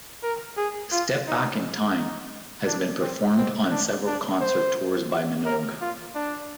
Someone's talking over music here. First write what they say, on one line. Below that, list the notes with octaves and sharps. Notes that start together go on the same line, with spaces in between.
"Step Back in Time" has been performed on several concert tours by Minogue.
A#4
G#4
F4
D#4
D#4
D4
C4
C4
D4
D4
C5
A#4
F4
D4